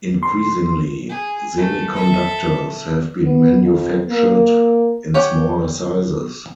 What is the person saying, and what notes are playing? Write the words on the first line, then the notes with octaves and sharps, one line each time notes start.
Increasingly, semiconductors have been manufactured in smaller sizes.
C6
G#4
A3
A4 E5
B3
F2
A#3
G4 C#5 F#5 G#5